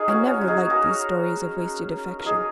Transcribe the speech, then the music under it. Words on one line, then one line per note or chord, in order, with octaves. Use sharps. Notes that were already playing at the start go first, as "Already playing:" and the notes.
I never liked these stories of wasted affection.
Already playing: D#4 G#4 A#4
C#4 F#4
C#4 F#4
F#4
D#4 G#4
F#4 A#4
A#4
D#4 G#4